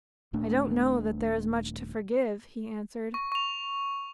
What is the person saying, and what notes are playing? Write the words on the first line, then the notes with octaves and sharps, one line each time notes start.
"I don't know that there is much to forgive," he answered.
D#1 A#2 A3 D4
C#6
C#6 F7